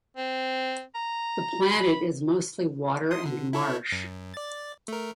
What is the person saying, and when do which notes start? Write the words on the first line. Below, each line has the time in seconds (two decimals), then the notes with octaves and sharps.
The planet is mostly water and marsh.
0.17 C4
0.95 A#5
1.62 B5
3.11 C6 D#6
3.26 D3
3.53 E4 A4 C#5
3.92 F#2
4.34 D5 A6
4.88 A3 A#4